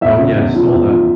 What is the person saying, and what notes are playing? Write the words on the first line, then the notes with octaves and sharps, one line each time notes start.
Oh, yeah, I saw that.
E2 E5
C#3
E2
F3
E2
F3